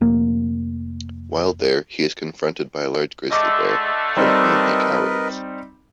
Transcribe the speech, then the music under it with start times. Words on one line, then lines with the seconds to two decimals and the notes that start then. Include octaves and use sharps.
While there, he is confronted by a large grizzly bear, from whom he cowers.
0.01 F1 A#3
3.31 D3 G#3 A3 D#5 D6
4.17 G3 C4 D#4 A#4 B4 D#5